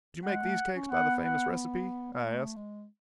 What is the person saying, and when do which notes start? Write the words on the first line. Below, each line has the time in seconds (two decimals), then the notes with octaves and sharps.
"Did you make these cakes by the famous recipe?" I asked.
0.25 G#3 F#5
0.42 A3
0.75 C#4
0.91 B3 F#5
1.25 F#5
2.13 B3
2.23 A3
2.56 G#3